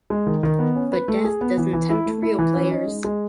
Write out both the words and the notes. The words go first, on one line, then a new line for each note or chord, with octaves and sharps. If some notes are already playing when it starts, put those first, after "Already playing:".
But death doesn’t tempt real players.
G#3
D#3
D#3
B3
C#4
B4
A3
G#4
B3
E3
E3
E4
A3
E4
E3
C#4
D#4
G#3
G#3